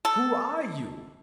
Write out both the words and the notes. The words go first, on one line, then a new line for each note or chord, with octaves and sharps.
"Who are you?"
A4